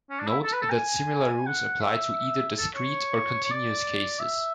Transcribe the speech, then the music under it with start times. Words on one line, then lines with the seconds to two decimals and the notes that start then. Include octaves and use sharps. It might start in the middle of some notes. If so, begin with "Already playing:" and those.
Note that similar rules apply to either discrete or continuous cases.
0.10 C#4
0.20 D4
0.27 E4
0.44 A4
0.53 B4
0.62 A4
0.70 G#5
1.47 F#5
1.81 E5
2.58 A4
2.75 C#5
3.44 C#5
3.51 D5
4.20 E5